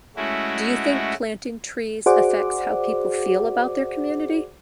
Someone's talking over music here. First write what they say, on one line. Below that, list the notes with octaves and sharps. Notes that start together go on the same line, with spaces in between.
Do you think planting trees affects how people feel about their community?
G#3 A3 C#4 E4 F#4
F#4 G#4 C5 D5 F#5 D6